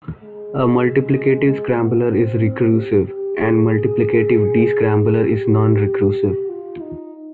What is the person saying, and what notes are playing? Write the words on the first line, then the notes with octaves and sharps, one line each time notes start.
A multiplicative scrambler is recursive, and a multiplicative descrambler is non-recursive.
G#3
G#3
B3
C4
C4
G4
G4
G#4
G4
F4
D#4